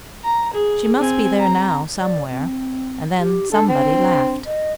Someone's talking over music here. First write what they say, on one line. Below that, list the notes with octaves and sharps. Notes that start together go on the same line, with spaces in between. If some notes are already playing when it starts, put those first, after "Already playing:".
"She must be there now, somewhere," and then somebody laughed.
A#5
G#4
C4 G#5
A#5
D5
C4
G4
D4 A4
C4
D#5